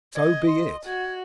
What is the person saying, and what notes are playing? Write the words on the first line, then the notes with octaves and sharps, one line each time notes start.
"So be it."
D#5 G#6
C6
F#4 G#6